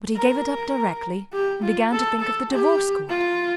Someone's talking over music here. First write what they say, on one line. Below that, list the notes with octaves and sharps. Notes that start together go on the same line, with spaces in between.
But he gave it up directly, and began to think of the Divorce Court.
A#4
G4
F4
A4
A4
G4
F4